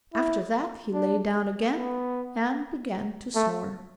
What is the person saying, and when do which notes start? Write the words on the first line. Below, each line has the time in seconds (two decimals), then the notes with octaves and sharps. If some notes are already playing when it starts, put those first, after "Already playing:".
After that he lay down again, and began to snore.
0.14 E4
0.94 D4
1.75 B3
3.36 A3